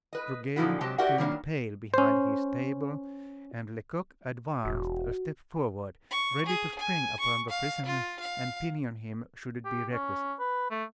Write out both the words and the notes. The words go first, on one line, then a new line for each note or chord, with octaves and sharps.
Goguet turned pale behind his table, and Lecoq advanced a step forward, ready to spring upon the prisoner and pinion him should it be requisite.
B4 D#5
A#2 D3 F3 D#4 E4 F#4
C3 F#3 G#3 G4 D#5 A5
F#4 G4 A#4 D5 E5 F#5
D#3 F#3 G3 A#3 D4
C#4 C5
E1 F#4
C#6
G#4
G#5
C#6
F5
F4
F5
G4
C#4
B4
A3